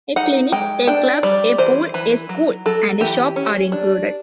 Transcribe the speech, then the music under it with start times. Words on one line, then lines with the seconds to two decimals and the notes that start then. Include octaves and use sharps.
A clinic, a club, a pool, a school and a shop are included.
0.16 D#4 F#5
0.52 G#3 G5
0.87 D4 G5
1.23 G3 D5
1.58 E3 C5
1.94 E3 B4
2.29 F#3
2.66 F#3 A4
3.01 E3 G4
3.36 C#4
3.72 D4